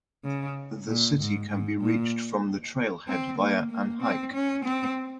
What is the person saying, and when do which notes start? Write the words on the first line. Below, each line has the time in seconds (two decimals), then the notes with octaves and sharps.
The city can be reached from the trailhead via an hike.
0.24 C#3
0.88 A#2
1.19 G#2
1.50 G#2
1.81 A#2
3.08 C4
3.39 A#3
3.71 A#3
4.02 C4
4.34 C#4
4.65 C4